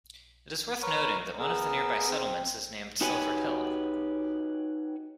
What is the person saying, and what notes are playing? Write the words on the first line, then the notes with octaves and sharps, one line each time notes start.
It is worth noting that one of the nearby settlements is named Silver Hill.
A#4 B4 C#5
B3 G#4 A#4 E6
C4
D#4 F#4 G4 B4 C#5 G#5